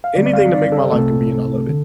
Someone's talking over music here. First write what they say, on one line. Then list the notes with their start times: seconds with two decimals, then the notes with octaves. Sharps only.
anything to make my life convenient, I love it,
0.04 F5
0.15 D2 D3 G3 C4 D5
0.26 D5
0.33 F5
0.54 D5
0.72 A4
0.91 C2 C3 A3 C4 A4
1.69 D3